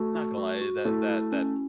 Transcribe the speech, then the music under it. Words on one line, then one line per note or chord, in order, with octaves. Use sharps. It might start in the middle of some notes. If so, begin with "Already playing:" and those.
Not gonna lie, that that that
Already playing: A3 F#4
F#4
F#4
F#4
A3 E4
E4
C#4